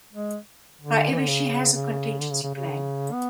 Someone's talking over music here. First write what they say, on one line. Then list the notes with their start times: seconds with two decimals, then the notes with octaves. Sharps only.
However, she has a contingency plan.
0.13 G#3
0.81 D3
1.12 E3
1.20 D3
1.28 C#3
1.73 C#3
2.19 D3
2.31 C#3
2.43 C#3
2.55 C#3
3.12 B3